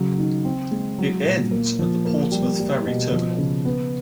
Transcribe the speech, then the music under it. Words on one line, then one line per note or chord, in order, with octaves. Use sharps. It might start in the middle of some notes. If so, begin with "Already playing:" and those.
It ends at the Portsmouth ferry terminal.
Already playing: C#3 F#3
D#3
C4
G#3
F#3
A#2
A#3
F3
A#3
G3
G3
B2
F3
C#3
B3